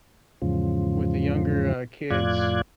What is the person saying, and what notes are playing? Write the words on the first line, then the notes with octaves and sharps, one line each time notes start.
with the younger, uh kids,
E2 G#2 C#3 F3
F2 A2 F4 D5 F#6 G#6